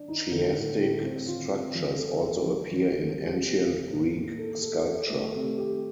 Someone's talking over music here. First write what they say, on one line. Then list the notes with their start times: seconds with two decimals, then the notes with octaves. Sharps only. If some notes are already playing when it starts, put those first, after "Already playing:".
Chiastic structures also appear in Ancient Greek sculpture.
Already playing: D4
0.08 D#4
0.32 D3
0.56 A2
0.80 A2
1.03 C4
1.27 F4
1.51 C4
1.75 F3
1.99 A4
2.23 A4
2.46 F3
2.71 F3
2.95 G3
3.18 G3
3.42 C3
3.66 C3
3.90 A2
4.15 A#3
4.38 A4
4.62 A4
4.86 A4
5.09 A3
5.34 C3
5.58 G4